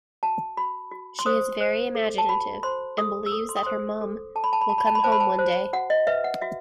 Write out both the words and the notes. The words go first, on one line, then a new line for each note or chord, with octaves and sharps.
She is very imaginative and believes that her mum will come home one day.
F#4 A5
F#4 B5
F#4
C6
C5 D#6
C5
A4
A5
F#4 B5
C5 C6
A4 D#6
E6
A4 D#6
C6
D#6
C5 C6
A4
A4 A5
B5
A5
B5
F#4 A5
B5
A5
B5
C5 A5
B5
A5
C5
F#4 F#5
D#5
B4 E5
F#5
F#4 E5